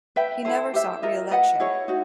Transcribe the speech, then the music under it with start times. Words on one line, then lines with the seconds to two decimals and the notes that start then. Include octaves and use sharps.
He never sought re-election.
0.16 B4 E5 G5
0.45 E4 A4 C5
0.74 G4 C5 E5
1.02 F4 A#4 D#5
1.31 B4 D#5 F#5
1.60 E4 G#4 C#5
1.88 D#4 F#4